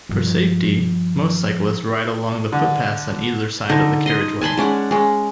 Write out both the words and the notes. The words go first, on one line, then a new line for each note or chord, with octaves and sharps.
For safety, most cyclists ride along the footpaths on either side of the carriageway.
G2 F3
D3
D3 D#4
D#5 C6
G#5 A5 B5 C6
G#3 C#4 D5 F#5
G#3 C#4